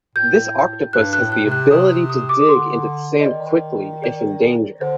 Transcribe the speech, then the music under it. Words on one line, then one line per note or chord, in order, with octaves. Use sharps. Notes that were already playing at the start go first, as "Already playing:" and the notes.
This octopus has the ability to dig into the sand quickly if in danger.
A2 G6
G2 F#6
F#6
A2
F#6
C3
F#6
C3 D#6
D#6
D6
D3 C6
D#5
D#3 D5
D5
D3 C5